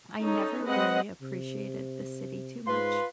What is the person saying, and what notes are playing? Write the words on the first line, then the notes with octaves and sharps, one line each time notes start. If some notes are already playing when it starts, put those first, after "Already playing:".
I never really appreciated the city too much,
C#4 D#4 A4
G#3 C4 B4 D#5 F#5
C3
G#2 F4 B4 C6